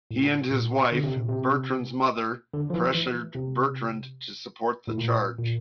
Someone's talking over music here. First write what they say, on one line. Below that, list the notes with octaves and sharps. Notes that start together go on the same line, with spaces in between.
He and his wife, Bertrande's mother, pressured Bertrande to support the charge.
A2
A#2
D3
C3
A#2
C3
D3
F3
E3
E3
C3
A2
A#2
A#2